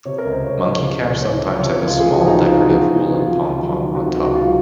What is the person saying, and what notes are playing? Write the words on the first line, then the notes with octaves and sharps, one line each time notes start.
Monkey caps sometimes have a small, decorative, woollen pom-pom on top.
C3 C#5
A#4
C#2
C5
C#2 C#5
D#5
F3
C#5
C3
C#2
C#2 C#5
F3
C3 C#5
C#2
F4
C#2 G#4
F#4
F3
D#4
C3 F4
F#4
C#2
F4
C#2 F#4
F3
C3 F4
C#2
F#3
D#3
C3 F#4
C#2
F#4
F#3 F4